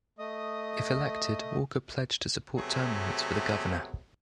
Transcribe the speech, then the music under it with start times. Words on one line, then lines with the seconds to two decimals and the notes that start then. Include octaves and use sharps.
If elected Walker pledge to support term limits for the Governor.
0.19 A3 D#5 D#6
2.56 C3 F#3 A3 B3 G#4